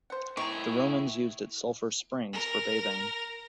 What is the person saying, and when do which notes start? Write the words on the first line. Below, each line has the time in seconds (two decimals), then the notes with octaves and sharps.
The Romans used its sulphur springs for bathing.
0.10 C5 F#5
0.37 A2 D#3 E4 G#4 A#5 C#6
0.53 C#3
2.33 A#4